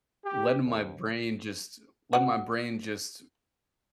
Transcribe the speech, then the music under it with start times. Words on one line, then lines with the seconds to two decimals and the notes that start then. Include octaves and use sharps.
Letting my brain just letting my brain just
0.25 G4
0.66 D#2
2.13 F#4 F#5